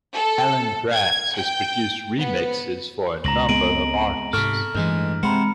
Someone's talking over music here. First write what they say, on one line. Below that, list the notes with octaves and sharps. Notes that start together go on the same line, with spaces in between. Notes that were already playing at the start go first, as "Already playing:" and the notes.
Alan Braxe has produced remixes for a number of artists.
A4
G#6
G5
B3
C#2 A#5 A#6 F#7
G#3 B3 C4 D7 D#7 F#7
G#2 C3 A4 C#6 D6 F6
A1 G2 E3 G#3
C3 G#3 C5 F#5 A#5 B5 C#7